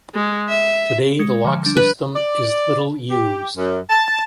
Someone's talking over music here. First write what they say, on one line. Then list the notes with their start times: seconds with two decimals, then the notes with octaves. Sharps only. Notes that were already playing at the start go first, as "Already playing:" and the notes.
Today, the lock system is little used.
0.15 G#3
0.49 E5
1.19 G#3 C#7
1.45 D3 F3
1.65 G3 D4
1.77 B4
2.16 D5
3.10 G4
3.57 F#2
3.90 A5